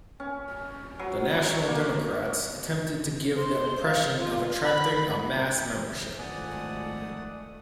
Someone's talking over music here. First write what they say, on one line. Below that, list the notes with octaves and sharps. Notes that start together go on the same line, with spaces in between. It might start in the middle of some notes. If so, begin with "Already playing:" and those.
The National Democrats attempted to give the impression of attracting a mass membership.
C#4
F#3
A#3
C5
F5
F4
B5
G#2 D#3 F3 A3 D5 F#5 G#5 D#6